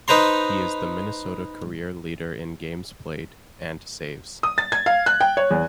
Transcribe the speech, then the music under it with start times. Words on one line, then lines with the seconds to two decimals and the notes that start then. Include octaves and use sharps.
He is the Minnesota career leader in games played, and saves.
0.08 D#4 B4 C5 A#5 C6
4.43 D#6
4.58 A6
4.72 G#6
4.86 F5
5.06 F#6
5.21 G5
5.37 C#5
5.51 E2